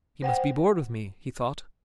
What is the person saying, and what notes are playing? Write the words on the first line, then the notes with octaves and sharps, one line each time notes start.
"He must be bored with me," he thought.
C5 F#5 G5